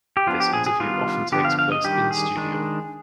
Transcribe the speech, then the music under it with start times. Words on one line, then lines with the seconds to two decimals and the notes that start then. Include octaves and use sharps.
This interview often takes place in studio.
0.17 G4
0.27 F3 B3 D4 F4
0.40 G4
0.53 G#4
0.66 G#4
0.80 D#3 G3 B3 D4 F4
1.32 D3 F3 B3 D4 G4
1.45 F5
1.59 F5
1.72 D#5
1.84 D#3 G3 D4 G4
2.11 G#4
2.37 D#3 G#3 D4